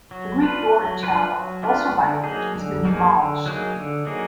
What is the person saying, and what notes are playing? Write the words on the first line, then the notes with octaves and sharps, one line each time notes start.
The Greek Doric chapel, also by Edge, has been demolished.
F#3
D4 F4 B4
F#3
D4 F4 B4
F#3
D4 F4 B4
D3
F#3 A#3 D#4 G#4
D3
F#3 A#3 D#4 G#4
D3
F#3 A#3 D#4 G#4
D3
F#3 A#3 D#4 G#4